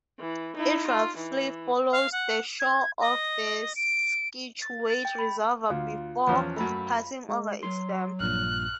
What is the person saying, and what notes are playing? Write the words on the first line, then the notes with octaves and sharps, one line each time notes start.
It roughly follows the shore of the Scituate Reservoir before passing over its dam.
E3
D#4 E4
F4
E3
F5
F#5
G#6
D#5
D7
A6
A6
G5
B5
D2 F4
E2 F3 C#4
F#2 A3 B4 A#5 B5
G#3
F#3 C6
A#1 G2 A#2 F6 F#6